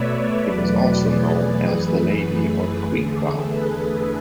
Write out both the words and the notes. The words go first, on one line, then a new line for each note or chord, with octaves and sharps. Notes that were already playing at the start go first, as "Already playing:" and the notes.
It is also known as The Lady or The Queen crown.
Already playing: B2 A3 B4 C#5 D5 E5
E2 B2 F#3 A3
G#4
G#4 B4
F#2 E3 A3
E2 D3 A3 G#4
A4
G#4 B4
G#4